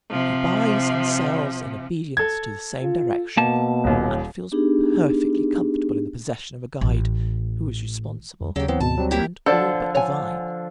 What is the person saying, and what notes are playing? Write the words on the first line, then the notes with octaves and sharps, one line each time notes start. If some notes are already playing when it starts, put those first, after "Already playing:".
He buys and sells in obedience to the same direction, and feels perfectly comfortable in the possession of a guide who is responsible and all but divine.
C3 F3
A4 G#6
F4
B2 A#3 A5
D#1 D#2
B3 D4 D#4 G4 G#4
A1
F2
D#2 C#3 F#3 G4
E3 F#3 B3 C4
G#1 D2 B2 A5
F#3 G3 C4
A#3 E4 G4
D3 F3 A4 C5 D5
C#5 G#5